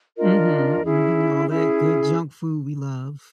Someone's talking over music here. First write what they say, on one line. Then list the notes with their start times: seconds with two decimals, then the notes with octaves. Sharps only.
Mhm, mhm, all that good junk food we love.
0.17 D4 F4 A#4 D#5
0.83 C#4 E4 G#4
1.50 C#4 E4 G#4